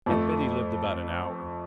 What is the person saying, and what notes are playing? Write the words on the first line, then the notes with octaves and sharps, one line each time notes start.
Aunt Betty lived about an hour.
F2 F3 A3